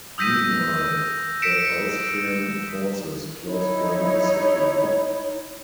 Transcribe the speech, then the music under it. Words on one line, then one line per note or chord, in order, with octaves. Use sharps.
Meanwhile, the Austrian forces closed round the city.
D#6 E6 G6 A#6 B6 D#7
B6 C#7 D7 E7
D#4 E4 C#5